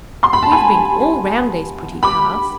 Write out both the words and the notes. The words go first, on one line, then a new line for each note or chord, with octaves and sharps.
We have been all round these pretty paths.
C6
B5
A5
G#5 B5
B5 D6